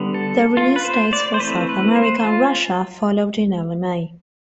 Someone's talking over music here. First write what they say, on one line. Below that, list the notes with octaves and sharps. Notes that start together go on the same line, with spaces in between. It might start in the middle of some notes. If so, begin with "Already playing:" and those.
The release dates for South America and Russia followed in early May.
Already playing: D3 G3 B3
A4
F4
B4
C5
D5
C5
E3 A3 C4 B4
B4
C5
F4